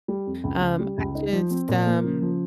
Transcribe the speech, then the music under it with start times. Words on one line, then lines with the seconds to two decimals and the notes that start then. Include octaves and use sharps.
Um, I just, um
0.08 G3
0.27 F2
0.44 C#2
0.61 C#3
0.80 G3
0.98 C#2
1.15 D#4
1.33 F3
1.50 C4
1.69 A#2
1.86 A#3
2.04 C#3
2.22 F3